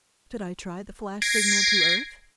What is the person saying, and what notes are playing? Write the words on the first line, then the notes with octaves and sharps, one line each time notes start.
Should I try the flash signal to Earth?
G#6 A#6 C7 D7